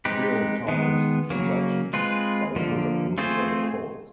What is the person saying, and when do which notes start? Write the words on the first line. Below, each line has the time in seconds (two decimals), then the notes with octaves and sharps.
Bill challenged the transaction, but it was approved by the court.
0.05 G#3 C4 D#4 G4 B4
0.68 D#3 G#3 B3
1.30 C#3 F#3 A#3
1.93 G#3 C4 F4 G#4 B4
2.56 D3 F3 A#3
3.18 A3 C4 F4 G#4 C5